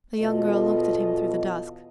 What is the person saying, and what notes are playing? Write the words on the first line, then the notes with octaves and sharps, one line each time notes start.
The young girl looked at him through the dusk.
E2 B2 F4 A4 D#5